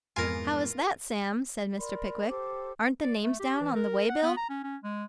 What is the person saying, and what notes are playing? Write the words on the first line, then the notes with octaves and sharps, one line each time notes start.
'How is that, Sam?' said Mr. Pickwick; 'aren't the names down on the way-bill?'
F2 G#2 E3 B3 F4 A#4 G#5
A#4 D5 B5 C6
G4 A4 C5 D6
D5
A3
G4
E3
A#4
F#5
B3
A#5
C#4
C#4
G#3